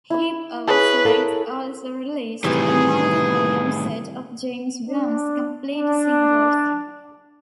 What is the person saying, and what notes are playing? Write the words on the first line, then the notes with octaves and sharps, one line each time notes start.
Hip-O Select also released a multi-volume set of James Brown's complete singles.
E4 E6
G#4 B4 C#5
A4 A#4
A2 C3 D#3 E3 G3 G#4 B4
D4
D4